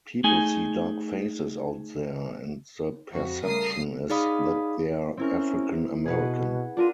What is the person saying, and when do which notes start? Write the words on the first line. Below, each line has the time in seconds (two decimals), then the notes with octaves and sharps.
People see dark faces out there, and the perception is that they're African-American.
0.24 A3 D#4 G#4 G#5
3.12 F2 F#4
3.44 C#3 G3 A3 A#4 D#6 C7
4.09 D#4 G#4 D5 F5 B5 D#6
5.17 C4 C#4 E4 A#4
6.06 B2 G#4 B4 F#5
6.77 D4 F4 A#4 D#7